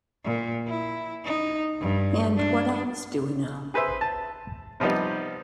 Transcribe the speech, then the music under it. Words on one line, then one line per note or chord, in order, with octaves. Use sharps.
And what else do we know?
A#2
E4
D#4
G2
D4
G#4 B4 C5 E5
A5
C3 F3 G3 B3 D#4